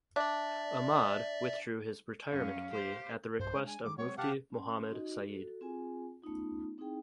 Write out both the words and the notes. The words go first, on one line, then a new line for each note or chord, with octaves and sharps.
Ahmad withdrew his retirement plea at the request of Mufti Mohammad Sayeed.
D4 D5 E5
F#2 C#4 F5
G4 C5
B1 G2 C5
G#3 B3 D4
G#5
D#3 F3 G#3 D6
F#3 G#3 C4 C#5
C3 G4 F5 F#5 A5
C#4 C6
D#4 F#4 D#5
F#4 A4
C4 F4 G#4 G#5
A3 B3 C#4 D#4 F4
C4 D#4 E4 G#4 G5